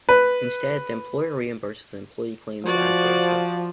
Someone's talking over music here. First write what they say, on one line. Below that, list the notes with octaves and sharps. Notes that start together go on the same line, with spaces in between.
Instead, the employer reimburses employee claims as they occur.
B4
F3 F#4 D5